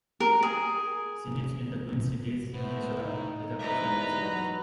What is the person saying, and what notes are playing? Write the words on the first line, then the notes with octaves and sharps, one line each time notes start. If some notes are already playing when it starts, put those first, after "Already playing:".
She lives in the Twin Cities, Minnesota, with her husband and children.
A#4
G#4
A2 B3 E4 C5
D#4
E2 G2 B2 B4 D5 E5 A#5
F#3 D#4